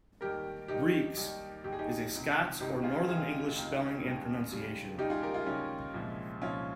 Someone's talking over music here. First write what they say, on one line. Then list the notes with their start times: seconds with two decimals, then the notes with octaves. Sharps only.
"Breeks" is a Scots or northern English spelling and pronunciation.
0.21 D#2 D#3 G3 G4 A#4
0.68 D#2 D#3 G3 D#4 G4
1.17 D#2 D#3 G3
1.64 D#2 D#3 G3 G4
1.73 G#4
1.79 D#4 G4
2.12 C#2 C3 D#3
2.60 C#2 C3 D#3 D#4 G4
2.83 F4 G#4
3.08 C#2 C3 D#3 F4 G#4
3.55 C#2 C3 D#3
4.04 D#2 C#3 G3
4.51 D#2 C#3 G3
4.98 D#2 C#3 G3 D#4 G4
5.10 F4 G#4
5.22 G4 A#4
5.34 F4 G#4
5.46 D#2 C#3 G3 C#4 F4
5.94 C2 A#2 F3 G#3
6.42 C2 A#2 F3 G#3 C#4 F4